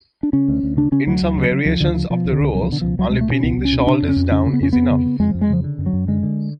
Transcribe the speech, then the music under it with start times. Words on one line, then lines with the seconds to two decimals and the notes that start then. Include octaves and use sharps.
In some variations of the rules, only pinning the shoulders down is enough.
0.23 D4
0.33 C#3 C#4
0.48 D2
0.63 D2
0.77 C#3 D4
0.92 C#3 C#4
1.07 D2 F#3
1.21 D2
1.37 C#3
1.51 C#3
1.65 D2 F3
1.80 D2 D3
1.88 F3
1.95 C#3
2.10 B2 F3
2.25 C#2
2.32 D3
2.40 C#2
2.54 B2 F#3
2.63 F3
2.69 B2 D3
2.81 C#2 F3
2.99 C#2 F#3
3.10 B2 G#3
3.21 A3
3.28 B2 C#4
3.43 C#2 B3
3.58 C#2
3.65 C#4
3.72 B2
3.80 C#4
3.87 C#3 D4
4.02 F2
4.09 C#4
4.16 F2
4.31 C#3 C#4
4.46 C#3
4.53 B3
4.61 F2 C#4
4.73 F2 B3
4.90 C#3
5.05 C#3
5.20 F2 G#3
5.31 F2 F3
5.41 G#3
5.50 C#3 F3
5.64 D3
5.78 F#2
5.86 F#3
5.93 F#2
6.08 D3 G#3
6.23 D3